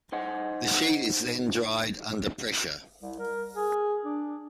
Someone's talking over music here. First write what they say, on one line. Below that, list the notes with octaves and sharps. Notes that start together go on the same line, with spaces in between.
The sheet is then dried under pressure.
D#4 C5 D#5 F#5
C2
A#4
G#4
D4